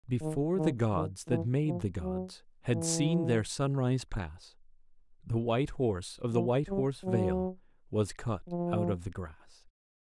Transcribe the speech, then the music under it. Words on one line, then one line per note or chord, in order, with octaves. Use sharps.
Before the gods that made the gods Had seen their sunrise pass, The White Horse of the White Horse Vale Was cut out of the grass.
D#3
D#3
D#3
E3
F3
F#3
E3
F3
G3
F#3
F3